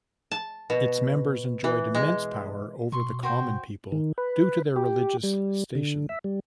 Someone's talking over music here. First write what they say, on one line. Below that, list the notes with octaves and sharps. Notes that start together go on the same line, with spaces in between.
Its members enjoyed immense power over the common people due to their religious station.
A5
B2
E3
G#3
B2 C6 C#6
F#4 C5 G5
D#3
B4
G4
G3
D3
E5
G3